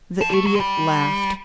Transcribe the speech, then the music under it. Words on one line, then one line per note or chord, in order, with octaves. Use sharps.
The Idiot laughed.
F3
A#3
A3
F#3
G#3
G3